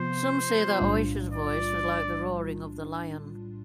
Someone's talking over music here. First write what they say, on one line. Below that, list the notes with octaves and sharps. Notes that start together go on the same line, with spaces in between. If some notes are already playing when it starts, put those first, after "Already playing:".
Some say that Oysher's voice was like the roaring of the lion.
Already playing: C3 F3 B3 F4 C5
B1 A2 G3 D4 F4
D5